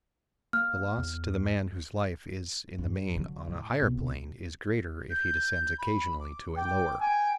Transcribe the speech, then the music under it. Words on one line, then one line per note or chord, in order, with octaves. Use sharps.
The loss to the man whose life is in the main on a higher plane is greater if he descends occasionally to a lower.
A#3 F6
E2
G2 C#4
D3 F#3
A2
C2 B2
G6
B5
D6
G5 D6
G5 G#5